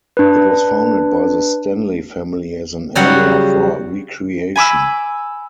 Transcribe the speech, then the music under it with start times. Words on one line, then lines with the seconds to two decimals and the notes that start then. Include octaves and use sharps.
It was founded by the Stanley family as an area for recreation.
0.17 D4 B4
2.95 C#3 F#3 G3 F5 F#5
4.56 G#5 B5 D6 E6